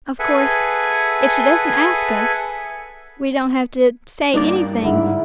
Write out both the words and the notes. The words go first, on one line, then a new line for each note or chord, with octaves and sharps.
Of course, if she doesn't ask us, we don't have to say anything.
G#4 A4 B4 E5 F#5 G#5
G2 A#3 D4 D#4 D5
G#2 D3 E4